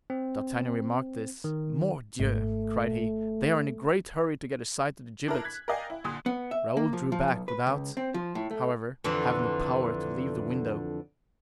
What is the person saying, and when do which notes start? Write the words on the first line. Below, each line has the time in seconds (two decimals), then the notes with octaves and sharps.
D'Artagnan remarked this. "Mordioux!" cried he, "they are in a great hurry to get a sight of the gibbet!" Raoul drew back, without, however, having the power to leave the window.
0.10 C4
1.44 D#3
2.20 G#1 G#2 A3
5.28 D4 E4 A4 A#4
5.44 F#6 G#6 B6
5.68 A#4 D5 D#5 F5 G5 G#5
5.90 E4
6.04 C2 A#2 D3 D#6
6.26 B3
6.51 E5
6.77 A#3
6.93 F3
7.12 F3
7.28 B1
7.48 B4
7.67 C#2
7.97 C4
8.14 F3
8.35 A2
8.51 A3
9.04 F2 D3 E3